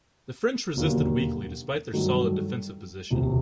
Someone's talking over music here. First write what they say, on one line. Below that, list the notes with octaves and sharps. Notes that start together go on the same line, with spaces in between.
The French resisted weakly despite their solid defensive position.
E1 D#2 D3 F#3 A#3
G2 D#3 F#3 A3
E1 D2 C3